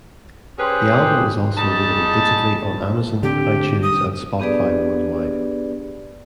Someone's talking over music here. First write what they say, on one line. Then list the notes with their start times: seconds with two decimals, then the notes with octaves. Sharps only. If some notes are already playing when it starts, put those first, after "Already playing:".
The album is also available digitally on Amazon, iTunes, and Spotify worldwide.
0.59 C#4 G4 G#4 B4 C5
1.58 G3 G#3 D#4 A5
3.23 D3 C4 D4 G4
3.82 D#6
4.39 B3 D4 G4 G#4 B4 D5